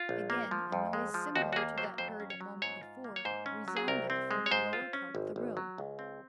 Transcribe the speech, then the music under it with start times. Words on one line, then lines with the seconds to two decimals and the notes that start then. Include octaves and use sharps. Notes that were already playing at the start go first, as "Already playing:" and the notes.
Again a noise similar to that heard a moment before resounded from the lower part of the room.
Already playing: F4
0.09 A#1
0.30 A#3
0.51 F3
0.72 F2
0.93 G#3
1.14 F3
1.36 D#2 F#4
1.53 F#4
1.56 A#3 G#4
1.78 F#3 C5
1.98 F2 C5
2.20 C#4
2.30 C#5
2.41 F#3
2.62 G#2 C#5
2.83 F4
3.04 A#3
3.16 C#5
3.25 G#2 C5
3.46 C#4
3.68 F#3
3.77 G#4
3.88 C2 A#4
4.10 C4
4.31 G#3
4.46 C#5
4.51 G#2 C5
4.73 F4
4.93 C#4
5.15 G#1
5.36 G#1
5.57 F#3
5.78 C#2
5.99 C4